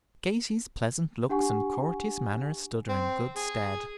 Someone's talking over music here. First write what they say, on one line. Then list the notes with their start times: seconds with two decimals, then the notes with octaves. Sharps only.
Katy's pleasant looks and courteous manner stood her in good stead.
1.29 D4 G4 F#5 G#5 C#6
2.89 C4
3.36 G#4